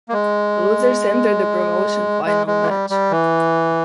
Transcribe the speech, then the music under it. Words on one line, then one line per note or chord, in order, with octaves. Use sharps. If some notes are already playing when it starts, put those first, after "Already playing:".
Losers enter the promotion final match.
A#3
G#3
G#3
G#3
E3
G3
G3
E3